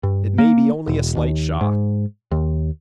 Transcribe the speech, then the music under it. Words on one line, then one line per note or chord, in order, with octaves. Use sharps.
"It may be only a slight shock."
G2
A#3
E1
D#2
G#2
D#2